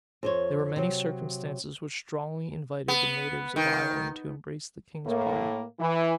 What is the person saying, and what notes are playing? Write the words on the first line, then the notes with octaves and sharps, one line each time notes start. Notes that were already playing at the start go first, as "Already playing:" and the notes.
There were many circumstances which strongly invited the natives of Ireland to embrace the king's party.
F2 C5 C#5
C3 F#3
B3
D#3
A2 A#3
E3